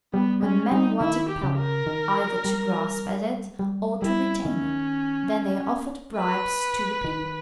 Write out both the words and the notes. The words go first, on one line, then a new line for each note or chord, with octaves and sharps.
When men wanted power, either to grasp at it or to retain it, then they offered bribes to the people.
G3 B3
G#3 C#4
G3 D#4
D#3 E4
G4
C#3
A#4
D#3
G3
G3
G3 E4
D#3 C#4
B4
D#3